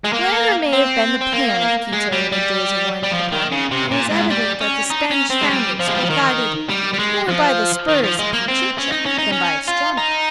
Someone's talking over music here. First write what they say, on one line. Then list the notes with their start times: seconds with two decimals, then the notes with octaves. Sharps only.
Whatever may have been the plan of Quito in the days of Huayna-Capac, it is evident that the Spanish founders were guided more by the spurs of Pichincha than by astronomy.
0.04 G#3
0.13 A#3
0.73 C4
1.21 C4
1.32 A#3
1.93 G#3
2.12 G3
2.32 G3
3.03 G3
3.11 F3
3.32 D#3
3.52 C#3
3.71 C3
3.91 A#2
4.11 G#2
4.30 G3
4.61 C#4
4.90 D#4
5.11 C#4
5.30 C4
5.41 G#3
5.50 G3
5.80 F3
5.87 G#3
5.95 G3
6.03 F3
6.10 D#3
6.69 G3
6.93 G3
6.99 G#3
7.29 F3
7.89 D#3
8.04 F3
8.19 G#3
8.33 A#3
8.48 C4
8.78 C#4
8.92 D#4
9.06 C#4
9.18 D#4
9.32 C#4
9.68 F4
9.98 D#4